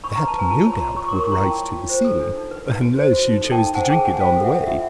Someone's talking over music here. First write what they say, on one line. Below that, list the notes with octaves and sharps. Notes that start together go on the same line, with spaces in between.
"That, no doubt, would rise to the ceiling unless you chose to drink it on the way!"
D4 B5 C#6
A#5 C6
B4
A5 B5
D4 G#5 A#5
F4 A5 B5
C#5 B5
A#5 C6
F4
C#5 B5 C#6
C6 D6
A#4
B5 C#6
E4 A#5 C6
F4 G5 A5
C#5
F4
C5
A4
D4
D#4
B4
D#4
F#4
C5
F#4
D#4
A4
G5 A5
D#4
C5 F#5 G#5
G#4 G5 A5
D4 F#5 G#5
C5 F5 G5
A4
E5 F#5
D4
F4 E5 F#5